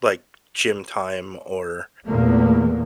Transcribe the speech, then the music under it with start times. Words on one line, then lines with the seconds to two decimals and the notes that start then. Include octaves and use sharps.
like, gym time or
2.06 E2 A#2 A3 A#3